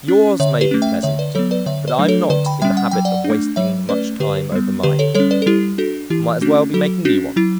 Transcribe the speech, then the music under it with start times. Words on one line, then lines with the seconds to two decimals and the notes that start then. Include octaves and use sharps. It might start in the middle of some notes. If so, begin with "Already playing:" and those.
Yours may be pleasant, but I'm not in the habit of wasting much time over mine. Might as well be making new ones ...
0.08 C#4
0.40 D3 C#5 E5
0.61 G4 B4
0.71 A3 C#4
0.82 E5 G5
1.03 D3 C#5 E5
1.19 B4 D5
1.35 F#3 B3 A4 C#5
1.51 B4 D5
1.66 D3 C#5 E5
1.88 B4 D5
1.98 F#3 A3 D4
2.09 A4 C#5
2.30 D3 B4 D5
2.46 G5 B5
2.62 G3 C#4 E5 G5
2.77 F#5
2.91 F#3 G5
3.05 D5 F#5
3.24 D4
3.30 A3
3.56 F#3 C#5 E5
3.89 A3 C#4 B4 D5
4.20 D3 G4 B4
4.52 G3 B3
4.83 D3 G4 B4
4.99 A4 C#5
5.14 G3 A4 C#5
5.20 C#4
5.31 B4 D5
5.42 A4
5.46 G3 E4 G4
5.78 D4 F#4 A4
6.10 E3 E4 G4
6.41 A3 C#4 D4 F#4
6.74 F#3 F#4 A4
7.05 C#4 D4 F#4
7.36 F#3 E4